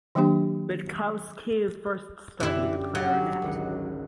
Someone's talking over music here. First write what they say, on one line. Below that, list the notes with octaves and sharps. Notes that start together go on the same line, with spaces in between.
Witkowski first studied clarinet.
D#3 F#3 A#3 D4 G4
F#2 D3 E3 E4 G4
G1 F#3 F#4 F5
G#1 C#2 C#7